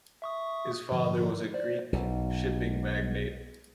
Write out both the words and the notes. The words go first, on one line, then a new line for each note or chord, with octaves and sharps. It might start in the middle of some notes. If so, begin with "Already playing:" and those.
His father was a Greek shipping magnate.
E5 C#6 D#6
G#2 D3 F3
C5 D5
B1 B2